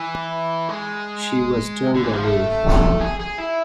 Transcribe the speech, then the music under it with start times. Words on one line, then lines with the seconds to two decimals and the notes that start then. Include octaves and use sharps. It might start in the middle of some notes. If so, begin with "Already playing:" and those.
She was turned away.
Already playing: E3
0.69 G#3
1.94 D3
2.04 E3
2.13 F3
2.24 A3
3.00 G#4
3.19 G#4
3.38 E4